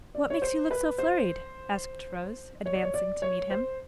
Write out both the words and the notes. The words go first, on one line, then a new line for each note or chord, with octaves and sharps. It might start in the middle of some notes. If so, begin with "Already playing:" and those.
'What makes you look so flurried?' asked Rose, advancing to meet him.
D5
C#5
C5
B4
C5
C#5
D5
C#5
D5
C#5
C5